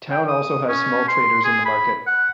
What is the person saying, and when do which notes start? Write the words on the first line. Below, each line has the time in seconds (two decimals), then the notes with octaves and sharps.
Town also has small traders in the market.
0.12 G5
0.28 D#6
0.69 C#4
1.08 C6
1.44 G#4
1.65 B5
2.07 F#5